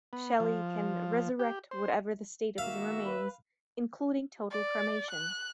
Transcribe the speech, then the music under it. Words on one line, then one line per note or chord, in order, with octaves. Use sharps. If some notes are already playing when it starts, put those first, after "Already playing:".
Shelley can resurrect whatever the state of his remains, including total cremation.
B3
F3
G4
C5
D#3 A#3 F#4 E5 F5
B4
D5
F#6